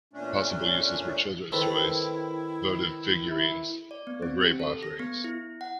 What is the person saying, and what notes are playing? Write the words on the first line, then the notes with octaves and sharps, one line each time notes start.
Possible uses were children's toys, votive figurines or grave offerings.
E2 A#2 A3 C#4 D4
D#3 C4 E4 A4 B4
E4
D5
B3
C4
G4
A4
A#6
B3
E4
F#5